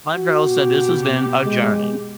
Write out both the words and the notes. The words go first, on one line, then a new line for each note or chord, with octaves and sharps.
My girl said, "This has been a journey."
F#4
B2 G4
G#3